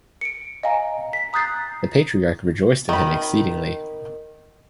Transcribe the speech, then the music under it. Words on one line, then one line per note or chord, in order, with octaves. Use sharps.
The Patriarch rejoiced in him exceedingly.
C#7 D7
D#5 F5 G#5 A#5
B6
A#5 D#6 F#6 G6 A6 C7
D#3 B5